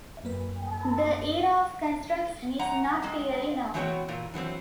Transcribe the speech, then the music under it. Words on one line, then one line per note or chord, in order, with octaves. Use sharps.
The era of construction is not clearly known.
F#2 A#3 B4
F#2 F#5 A#5
G#3 C4
E3 B3 C4 F#4 C#5 G5
A#2 E3
E3 F#3 B3 C4